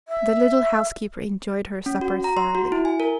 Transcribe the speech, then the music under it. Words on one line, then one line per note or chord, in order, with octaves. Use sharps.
The little housekeeper enjoyed her supper thoroughly.
E5
C#4
F#4
A#5
C6
F#4
E4
G#5
A#4